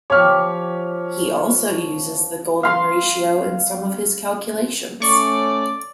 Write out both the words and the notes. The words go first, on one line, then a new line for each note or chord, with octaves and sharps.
He also uses the golden ratio in some of his calculations.
F3 G4 C#5 F6
F5 C6
A3 C#4 D5 C#6